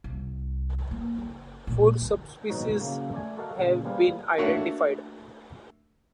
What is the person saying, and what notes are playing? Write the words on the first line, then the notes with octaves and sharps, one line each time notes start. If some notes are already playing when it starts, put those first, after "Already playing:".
Four subspecies have been identified.
C2
A#3
F#1
A#2
D3
G#2 B2 F#3 D#4 F#4
C#3 F#3 A#3
A3 D5 G#5
F#4 A4 A#4 D#5 F5 F#5
A#2 C#3
G3 A#3 G#4 B4 C5 F5
A3 A#3 D4 F#4 C#5 F#5